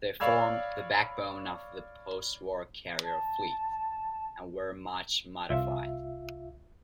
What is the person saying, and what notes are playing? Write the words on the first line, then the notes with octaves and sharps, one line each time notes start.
They formed the backbone of the postwar carrier fleet, and were much modified.
C#5 D5 F5 B5 E6 G#6
A5
C2 F4 E5